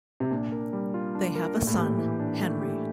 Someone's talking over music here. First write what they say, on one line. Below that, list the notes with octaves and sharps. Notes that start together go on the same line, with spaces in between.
They have a son, Henry.
C3
A#2 D4
A#4
G3
F4
D4
A#4
A#2 A3
A2
A#2 G4
E3
D4
A3
G4